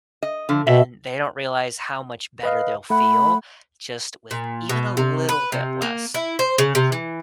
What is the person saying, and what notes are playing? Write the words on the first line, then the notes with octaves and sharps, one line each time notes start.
and they don't realize how much better they'll feel just with even a little bit less.
D#5
D3 F3
B2 E5
B4 D#5 F5
A3 F#5 B5
A#2
B2
C3
B4
C3
A#3
E4
C5
C#3
C3
E3